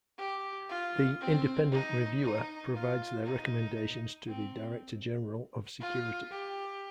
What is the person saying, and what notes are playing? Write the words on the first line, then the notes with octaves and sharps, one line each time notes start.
The Independent Reviewer provides their recommendations to the Director-General of Security.
G4
F4
C4
D#4
D#4
F4
D#4
C4
F4
G4